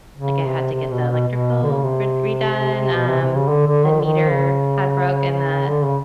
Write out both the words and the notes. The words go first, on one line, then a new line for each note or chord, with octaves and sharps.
like, I had to get the electrical red redone, um, the meter had broke and the
C#3
C3
C3
B2
B2
B2
D3
C#3
C3
B2
C3
C3
C#3
D3
D3
D#3
D3
D#3
C#3
D3
C#3